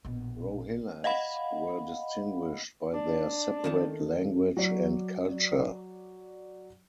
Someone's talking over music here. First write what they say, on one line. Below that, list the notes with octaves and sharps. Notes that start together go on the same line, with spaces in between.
Rohillas were distinguished by their separate language and culture.
A#1 B2
D#5 F5 F#5 B5
D4
D#3 A3 A5
F#3 D5